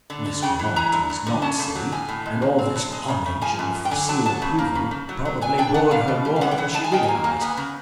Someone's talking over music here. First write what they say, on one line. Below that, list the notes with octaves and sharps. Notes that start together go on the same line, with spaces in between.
Miss Grammont is not silly and all this homage and facile approval probably bored her more than she realized.
D3
D3
C#3 G5
E3
E3 A#5
G2
G2
D3
C#4 A5
C#3
F#3
A2 G#5
A2
G#3
D#3
C4
G2
G#3
C#3
C#3
F3 G#5
F#2
F#2
G5
D3 G#5
F#3 A5
F#3 A5
C#3
A#3
C#3
C#3
F#3
F#3
F#3 G#5
D4 G5
D4 F#5
G3 F5
B2
G3
F5
G#3 F#5
G5
E3 F#5
G#3 A5
G#5
D#3 G5
G#5
A#3
A#3
B3 G#5
C#3